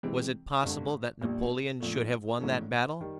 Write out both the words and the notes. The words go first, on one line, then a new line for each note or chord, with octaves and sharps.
Was it possible that Napoleon should have won that battle?
C3 E3 G#3 C4
G#1 G2 D3
A#1 A#2 G3
A#1 A#2 F3 A3
A#1 G#2 E3 A3 C#4
D#3 G3